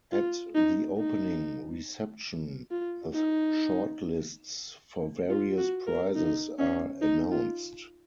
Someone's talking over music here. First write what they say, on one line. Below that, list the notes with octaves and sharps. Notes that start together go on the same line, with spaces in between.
At the opening reception the shortlists for various prizes are announced.
F4
D#4
D#4
F4
D#4
F4
F#4
A#4
D#4
C#4
D#4
F4